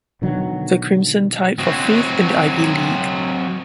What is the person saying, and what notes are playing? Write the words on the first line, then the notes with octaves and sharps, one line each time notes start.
The Crimson tied for fifth in the Ivy League.
B2 D3 D#3 F#3
F#3 C4